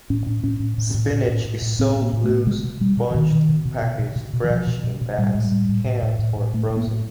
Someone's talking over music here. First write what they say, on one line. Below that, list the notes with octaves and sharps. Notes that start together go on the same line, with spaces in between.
Spinach is sold loose, bunched, packaged fresh in bags, canned, or frozen.
A2 C#4
A2 D4
A2 C#4
A2
A2
A2
A2
A2
A2
A2
A2 C4
A2
A#3
A2
A3
A2
B2 G#3
B2
B2 G3
B2
E3
B2 D#3
B2
B2
B2
B2
B2
B2
B2
E3
B2 F3
B2
B2
B2
A2 G3
A2 G#3
G3
A2
A2
A2
A2
A2
A2
A2 A3
A2
A#3
A2